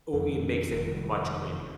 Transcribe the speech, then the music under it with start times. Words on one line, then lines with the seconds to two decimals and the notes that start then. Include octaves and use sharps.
ooh it makes it much creamier.
0.13 F2 D#3
0.68 F1 C2 D#3